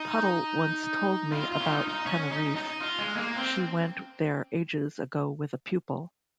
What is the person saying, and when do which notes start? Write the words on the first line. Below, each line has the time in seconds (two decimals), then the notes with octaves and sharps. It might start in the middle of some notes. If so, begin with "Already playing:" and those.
Puddle once told me about Teneriffe, she went there ages ago with a pupil.
Already playing: D#4
1.32 F4
1.51 F4
1.61 C#4
1.70 D#4
1.88 D#4
2.06 C#4
2.31 D#4
2.56 D#4
2.80 F4
2.99 G#3
3.17 A#3
3.36 C4